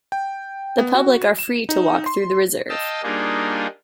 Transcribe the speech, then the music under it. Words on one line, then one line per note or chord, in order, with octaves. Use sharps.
The public are free to walk through the reserve.
G5
B3
F#4
E7
D#4
C6
D#5 F5 G5 A5 E6
G3 A#3 D4 D#4 F4 G#4